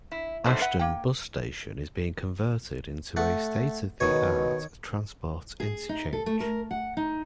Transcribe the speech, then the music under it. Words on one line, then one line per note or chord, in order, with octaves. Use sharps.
Ashton Bus Station is being converted into a state-of-the-art transport interchange.
E4
G2 F#3 A3 C4 D#4 C5
B4 E5 F#5
A#3 G5
A3 F#5
B2 D#3 C#5
G#4
D#4
A4
A3
A#4
F#5
D#4